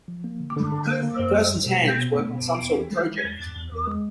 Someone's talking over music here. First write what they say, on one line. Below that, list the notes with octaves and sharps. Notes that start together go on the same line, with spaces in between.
A person 's hands work on some sort of project.
F3
A#3
D3
D3
D3
A#3
A#3
F#2
G3
G3
B2
B2
B3
B3
B2
B3
E2
E3
E3
G#3
E2
E2
E2
E2
G#3